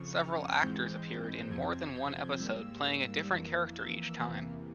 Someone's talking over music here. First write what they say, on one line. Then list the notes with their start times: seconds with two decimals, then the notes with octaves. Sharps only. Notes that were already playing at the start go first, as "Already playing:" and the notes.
Several actors appeared in more than one episode playing a different character each time.
Already playing: F2 C#3 F3 C#6
0.16 F6
0.60 G#2 E3 G#3 C4 G6
1.49 F2 C3 F3 C4 G#6
1.94 G6
2.39 G#2 G3 A#3 E6
3.30 F2 E3 A#3
3.74 E6
4.19 E2 C3 E3 A#3